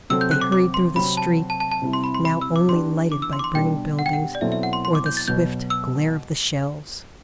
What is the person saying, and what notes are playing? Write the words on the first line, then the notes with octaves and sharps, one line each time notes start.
They hurried through the street, now only lighted by burning buildings, or the swift glare of the shells.
C3 F#3 C4 F#4 A4 E6
G6
F#6
D6
D6
C6
C3 F#3 C4 B5
A5
A5
A5
A5
C3 G3 C4 E4
C6
B5
C6
B5
E6
D6
E3 B3 D4 G4 C6
D6
E6
C6
D6
C6
B2 G3 D4 G5
F#5
G5
F#5
D5
B2 F#3 C4 E4 A4 E5
E5
F#5
C6
C6
D6
G6
A6
B2 F#3 B3 G6
E6